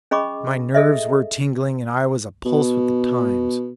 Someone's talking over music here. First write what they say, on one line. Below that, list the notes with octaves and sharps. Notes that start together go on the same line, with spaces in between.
My nerves were tingling and I was a-pulse with the times.
C#4 G#4 D#5 B5 C#6 D6
G#4 A4 D#5 E5
B2